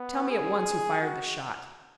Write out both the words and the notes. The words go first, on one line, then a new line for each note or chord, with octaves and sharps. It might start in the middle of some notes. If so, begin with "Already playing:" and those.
"Tell me at once who fired that shot?"
Already playing: B3
G#4
F#4